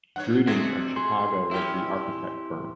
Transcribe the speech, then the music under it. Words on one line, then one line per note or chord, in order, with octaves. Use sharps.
Druiding of Chicago was the Architect Firm.
G2 D#4 C#5 F#5 F#6
C3 G#3 A3 C4 D4 F#4 G#6
G#4 C6
G3 C#4 E4 G4